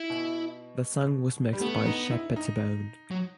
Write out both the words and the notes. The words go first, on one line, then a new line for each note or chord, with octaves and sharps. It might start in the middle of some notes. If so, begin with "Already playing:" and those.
The song was mixed by Shep Pettibone.
Already playing: E4
B2
G3
A3 B3
D#4
E4
D#4
F#3